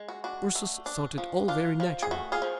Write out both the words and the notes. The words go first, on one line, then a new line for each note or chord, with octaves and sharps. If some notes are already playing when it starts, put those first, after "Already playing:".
Ursus thought it all very natural.
Already playing: G#3
F#4
D4 F#4
A3
D4
F3
D4 F4
F3
G#4
A3 F#4
F4 G#4
F3